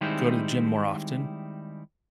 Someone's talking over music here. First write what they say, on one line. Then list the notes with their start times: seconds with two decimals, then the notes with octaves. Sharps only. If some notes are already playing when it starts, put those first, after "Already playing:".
go to the gym more often,
0.01 D#3 G3 G#3 C4 D#4 E4